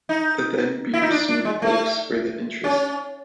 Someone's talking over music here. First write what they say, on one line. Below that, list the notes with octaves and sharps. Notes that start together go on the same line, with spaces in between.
Then Beer sued Foakes for the interest.
D#4
E4
D#4
D4
D4
G#3
A3
C#4